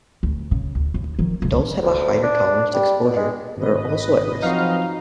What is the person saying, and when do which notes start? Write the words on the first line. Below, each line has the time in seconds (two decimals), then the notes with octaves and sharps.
Adults have a higher tolerance to exposure, but are also at risk.
0.23 D2
0.51 C#3
0.75 D2
0.94 D#2
1.19 D#3 F3
1.42 D#1 C#2
1.82 D2
2.23 D4
2.74 G3
3.04 B2
3.16 G#3
3.57 G#1 B4 D#5
4.42 F3 F#3 C4 D#4 F#4 F5